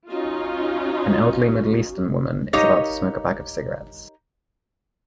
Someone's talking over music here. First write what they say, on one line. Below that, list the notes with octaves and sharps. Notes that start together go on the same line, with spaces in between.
An elderly middleeastern woman is about to smoke a pack of cigarettes.
C#4 D#4 F4 F#4
D#4 G4 A#4 C#5 D#5 F5